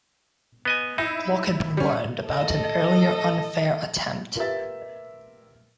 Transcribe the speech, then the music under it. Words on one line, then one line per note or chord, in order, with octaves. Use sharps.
Glock had been warned about an earlier unfair attempt.
B3 D#5 G#5
D#4 E4
G3 C#4
A4 D#5
F4 G4 A#4 B4 E5 A6